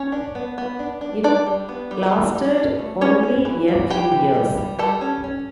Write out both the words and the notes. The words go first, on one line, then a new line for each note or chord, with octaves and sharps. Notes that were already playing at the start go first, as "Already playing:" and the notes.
It lasted only a few years.
Already playing: C#4 C#5
D4
B3
B3
D4
D4
G3 D4 D5
G3
B3
G3
G3
G3
C#4
A3
E3 C#4 C#5
C#4
E3
G3
E3 G4 G5
E3
G3
G3
G3 A4 A5
C#4
C#4